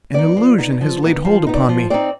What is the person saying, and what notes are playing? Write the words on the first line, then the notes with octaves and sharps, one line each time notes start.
An illusion has laid hold upon me.
B3 D#4 D5
F3
B3 D#4
F3
B3 D#4
F3
B3 D#4
D5
F3
C4 D#4 D5